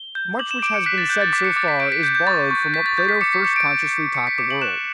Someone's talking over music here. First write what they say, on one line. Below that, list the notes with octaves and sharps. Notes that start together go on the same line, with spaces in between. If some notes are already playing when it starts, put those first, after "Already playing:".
Much which has been said so far is borrowed from what Plato first consciously taught the world.
Already playing: G7
G6
D6 F#7
E7
D6 D7
C#7
F#6 B6
A6
F#6 G6
A6
D6 B6
C#7
D6 A6
B6
G6 D7
B6
G6
G6
C#6 A6
C#6
G6 B6
A6
G6 A6
B6
D6 C#7
B6
D6 C#7
D7
G6
G6
D6 C#7
B6
D6 C#7
F#7
F#6 E7